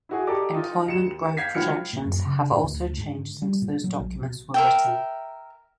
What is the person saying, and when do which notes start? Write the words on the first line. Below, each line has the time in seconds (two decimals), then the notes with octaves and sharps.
Employment growth projections have also changed since those documents were written.
0.09 E4 F#4 G#4
0.27 G4 A4 D5 D#5 A#5 D6
0.54 D#4 F4 D#5
0.86 D#2 C#7 E7
1.37 F5 G6 G#6 B6 C7
1.55 C#2 F3 F#3 F6 C#7
1.93 A#2
2.06 F#2
2.25 C#3
2.51 A2
2.63 D2
2.97 G#2
3.18 D3
3.42 G3
3.62 A#2
3.84 F#3
3.99 A#1
4.22 B2
4.54 A#4 E5 G5